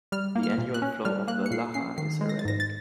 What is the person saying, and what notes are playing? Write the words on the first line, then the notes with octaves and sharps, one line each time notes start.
The annual flow of the Lachlan is erratic.
G3 F6
A#3
F6
A#2
F#6
C#4
G3 F6
A#3 F#6
C#7
A#2 C7
C#4 C7
D#3 C7
G#3
A#6
A6
G#2 A#6
A6